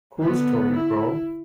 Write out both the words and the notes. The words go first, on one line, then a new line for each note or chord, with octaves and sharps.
Cool story, bro!
D3 B3
E4